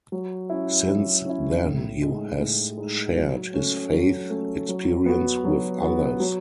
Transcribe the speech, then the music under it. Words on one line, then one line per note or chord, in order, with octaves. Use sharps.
Since then, he has shared his faith experience with others.
F#3
C#4 E4
F#3
C#4 E4
A2
G#3 D#4
A2
G#3 D#4
F#3
A3 C#4
F#3
A3 C#4
F#3
B3 F#4
F#3
B3 F#4
F#3